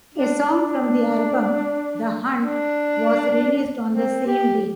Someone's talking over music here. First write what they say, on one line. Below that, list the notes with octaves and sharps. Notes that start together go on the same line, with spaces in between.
A song from the album, "The Hunt, "was released on the same day.
D4
D4
D4
C4
G4